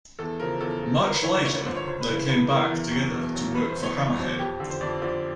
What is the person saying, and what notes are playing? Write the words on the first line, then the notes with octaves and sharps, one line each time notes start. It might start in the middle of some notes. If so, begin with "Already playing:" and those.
Much later, they came back together to work for Hammerhead.
E2 A4
C#3 F3 A#4
E2 A4
C#3 F3
D2 A#4
B4
D3 F3 C#5
D5
D2 C#5
C#5
D3 F3 C5
C#5
C#2 C5
B4
C#3 E3
C#2 B4
C#3 E3 A#4
E2
B2 F#3
E2
B2 F#3
E2 B4
C5
B2 F#3
C#5
E2 D5
B2 F#3 C5
F2 G4
D3 F3
C5
F2 D5
D3 F3 D5